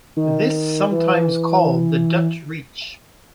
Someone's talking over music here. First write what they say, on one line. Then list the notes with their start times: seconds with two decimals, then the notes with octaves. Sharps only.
This sometimes called the "Dutch Reach".
0.17 D#3
0.92 E3